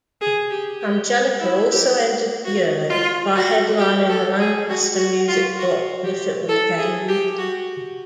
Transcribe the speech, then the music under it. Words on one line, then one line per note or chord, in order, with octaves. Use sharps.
Angelica also ended the year by headlining the Lancaster Music Co-op benefit weekend.
G#4
G4
G4
E4
G4
F#4
F4
F#4
G4
A4
G#4
F#4
F#4
F4
F#4
G4
A4
G#4
G4
F#4